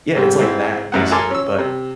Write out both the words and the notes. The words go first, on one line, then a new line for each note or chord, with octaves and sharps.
Yeah, it's like that, basically, but
G#2 C3 G3
G#2 C4 E4
A1 F#2 F#5
A4 A#4 G#5 A5 C6 D6
C#4 E6
C3